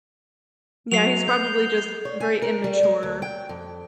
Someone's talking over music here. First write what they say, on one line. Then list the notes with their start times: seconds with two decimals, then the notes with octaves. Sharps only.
Yeah. He's probably just very immature.
0.92 F#3 C7 F7
1.28 G6
2.05 C#5
2.20 G#5
2.42 A#4
2.64 G3
2.83 G#3
3.03 D2
3.22 G5
3.49 F2